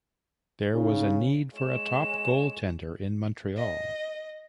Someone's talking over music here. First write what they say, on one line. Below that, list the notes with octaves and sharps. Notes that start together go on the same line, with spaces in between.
There was a need for a top goaltender in Montreal.
C#3 D#4
G#3 C#5 E7
D#5